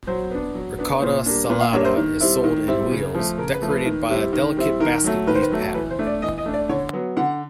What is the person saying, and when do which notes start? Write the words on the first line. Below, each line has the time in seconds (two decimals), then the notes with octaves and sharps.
"Ricotta salata" is sold in wheels, decorated by a delicate basket-weave pattern.
0.07 F#3 C5
0.31 B3 D4
0.55 F#3
0.78 B3 D4
1.02 A#2 C5
1.26 G3 A#3 D4
1.50 A#2 B4
1.61 F5
1.73 G3 A#3 D4 C#5
1.85 C5
1.97 D#3
2.20 G3 C4 E4
2.44 D#3
2.67 G3 C4 E4
2.91 C#3
3.15 F3 A3
3.38 C#3 A#4
3.54 B4
3.62 F3 A3
3.70 B4
3.86 D#3
4.09 G3 C4 E4
4.33 D#3
4.57 G3 C4 E4
4.80 D#3 A#4
5.04 F#3 A3
5.27 D#3 B4
5.35 C5
5.42 B4
5.51 F#3 A3
5.74 E3 B4
5.90 C5
5.99 A3 D4
6.07 D5
6.22 E3 D#5
6.38 D#5
6.46 A3 D4
6.54 D5
6.69 D3 C#5
6.93 F#3 B3
7.17 D3 F#5